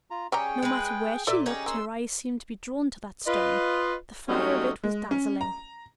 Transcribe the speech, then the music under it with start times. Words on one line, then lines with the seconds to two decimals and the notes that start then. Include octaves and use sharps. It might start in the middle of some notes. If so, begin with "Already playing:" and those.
No matter where she looked, her eyes seemed to be drawn to that stone; the fire of it was dazzling.
0.10 F4 A#5
0.32 C#3 G3 C#4 G#4 G5 A#5
0.63 G#3 B4
1.27 A#2 A4 D5 E5 D6
1.46 C#4 D#4 G4 G#4
1.66 A#3 C6 E6
3.27 F4 B4 D#5
4.29 G#2 F#3 G3 A3 C#4 D#5
4.84 G#3
5.11 C#4
5.41 A#5